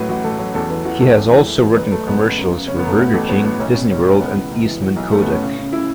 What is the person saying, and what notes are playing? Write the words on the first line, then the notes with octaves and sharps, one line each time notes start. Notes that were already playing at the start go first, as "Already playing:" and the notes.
He has also written commercials for Burger King, Disney World, and Eastman Kodak.
Already playing: A2 F#3 B4
A1 F#4
A1 A4
F#3
E2 A4
E3 B4
E3 F#4
E1 A4
E2
E3
E3
E2
F#1 B4
F#1 A3
F#1 B3
F#1
F#2
C#3
C#3 C#4
B3
F#2 A3
A2 B3
A1 A3
F#3 B3
A2 B3
B1 C#4
B2
B2 C#4
B1
C#2 B3
E3
C#2
E3
F#3
B1
B1 A3
B3
A2 C#4
C#3
C#3
C#3 E4